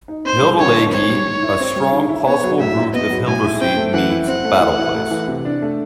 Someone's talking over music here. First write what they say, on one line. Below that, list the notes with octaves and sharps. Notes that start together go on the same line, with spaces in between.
"Hilde-Laege" a strong plausible root of Hildersley means "Battle place".
D#4
C4 C5
G3
D3 C#5
D#4
C4 C#5
G3
D#3
E4
C4
G3
D#3
E4
B3 C#5
F#3
A2 E5
E4
B3 D#5
F#3
A2 G#5
E4
C4 G5
A3
E3 F#5
E4
C4 F#5
A3
E3
E4
A3
E3
C3
D4
A3